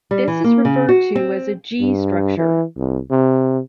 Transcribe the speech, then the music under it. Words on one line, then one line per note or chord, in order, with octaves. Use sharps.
This is referred to as a G-structure.
G3
E3
A#3
C#3
F#4
C4
G2
E3
C2
C3